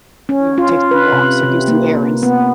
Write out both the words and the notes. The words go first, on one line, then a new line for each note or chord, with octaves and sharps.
you know, take some walks or do some errands.
C#4
F4
F4
B4
C3
C3
A#3
B3